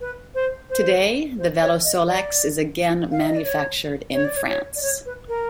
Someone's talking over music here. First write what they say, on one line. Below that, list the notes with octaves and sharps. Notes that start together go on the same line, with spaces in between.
Today, the Velosolex is again manufactured in France.
B4
C5
C5
C5
C#5
D#5
D5
F5
E5
D#5
D5
C#5
C#5
D5
C#5
C#5
D5
C#5
B4
A#4